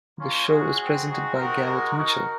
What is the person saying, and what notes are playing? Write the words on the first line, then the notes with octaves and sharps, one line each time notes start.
The show is presented by Gareth Mitchell.
A#3 C#4 F4
G#3 C#4 F#4 G#4
C4 F#4
C4 D#4 F#4
C4 D#4 F#4 A#4
G#3 D#4 F#4
G#3 D#4 F#4 A#4